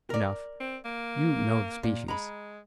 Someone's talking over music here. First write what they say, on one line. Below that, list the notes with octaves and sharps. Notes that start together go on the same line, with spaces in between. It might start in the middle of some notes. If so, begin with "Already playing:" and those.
Enough, you know the species.
A#4 D5
C4
A#3
A#2
G#3 A#5 B5